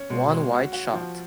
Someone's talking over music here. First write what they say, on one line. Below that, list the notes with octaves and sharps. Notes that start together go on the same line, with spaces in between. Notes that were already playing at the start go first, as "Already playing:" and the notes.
One wide shot.
Already playing: C#4
B2 G#3
G#3
F#4
F#4
F3